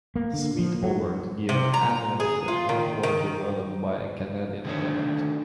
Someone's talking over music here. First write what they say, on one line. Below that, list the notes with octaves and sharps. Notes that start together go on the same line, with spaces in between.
Smith Award, given annually to a noteworthy volume by a Canadian poet.
A#3
D3
F3
F#3
C3
A#5
G#4
F4
D#3
D#3
D3 D#3 A3 E4 C5 C#5